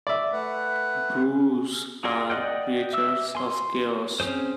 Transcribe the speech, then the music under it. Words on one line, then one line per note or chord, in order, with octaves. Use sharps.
Broos are creatures of chaos.
D5 E5
A3 B4 F#5
F#4 G#4 A#4 D5 C6
D5 D#5 F#5 G5
E5 D6 E6
G#5 C6
C4 C#4 F#4 G#4 C5